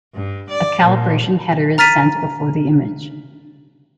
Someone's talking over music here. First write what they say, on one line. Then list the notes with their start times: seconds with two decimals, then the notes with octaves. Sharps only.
A calibration header is sent before the image.
0.14 G2
0.50 D5
0.83 A#2
1.78 A#5 F6 A6 B6 D#7